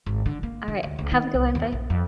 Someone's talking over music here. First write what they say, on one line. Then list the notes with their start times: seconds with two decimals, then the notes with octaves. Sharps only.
Alright, have a good one, bye.
0.06 G#1
0.26 D3
0.43 A#3
0.68 D3
0.83 D2
0.99 C#2
1.12 D#3
1.34 C2
1.55 D#2
1.72 A#1
1.90 F2